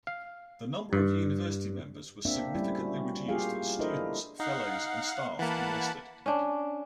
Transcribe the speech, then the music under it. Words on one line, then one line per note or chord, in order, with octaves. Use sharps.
The number of University members was significantly reduced as students, fellows and staff enlisted.
F5
G2
A#3 C4 D4 E5
G3 A3 A#3 C#4 E4
F#4
A#3 F4 G4 G#4 F5
D4 E4 A4 A#4 C5 D#5
D#4 F5 F#5
E3 A#3 F#5 A5 B5
C#4 D4